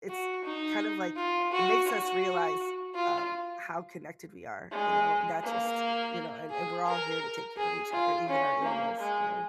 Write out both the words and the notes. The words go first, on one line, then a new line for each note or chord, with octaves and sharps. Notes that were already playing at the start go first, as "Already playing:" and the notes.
it's kind of like, it makes us realize, um, how connected we are, you know, and that's just, you know and we're all here to take care of each other, even our animals, you know?
F#4
D#4
F4
F#4
F#4
F4
G#3
A#3
G#4
A#4
G#4
F4
C#4
A#3
G#3